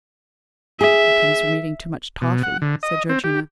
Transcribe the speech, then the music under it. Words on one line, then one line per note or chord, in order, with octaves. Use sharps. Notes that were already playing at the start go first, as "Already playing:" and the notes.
"It comes from eating too much toffy," said Georgina.
G#4 E5
B2
F#5
D3
D#5
C4
G4